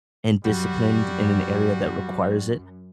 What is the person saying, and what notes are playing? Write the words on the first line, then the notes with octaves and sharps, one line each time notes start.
and disciplined in an area that requires it.
F#2 G3 F#4